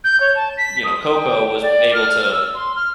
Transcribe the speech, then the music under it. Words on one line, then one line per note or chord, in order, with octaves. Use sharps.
you know, Koko was able to
G6
C#5
A5
B6
D#6
G5
D5
F6
E6
C6
F6